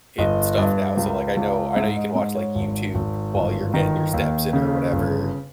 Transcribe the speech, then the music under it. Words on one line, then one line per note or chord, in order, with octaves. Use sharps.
in stuff now so, like, I know I know you can watch like YouTube while you're getting your steps in or whatever.
G1 D#5
G2
C#2
C#2
G#2 E5
D#5
G#2 D#5
C#5
G#1
G#1
G1
D#3
D#2
C#3
G1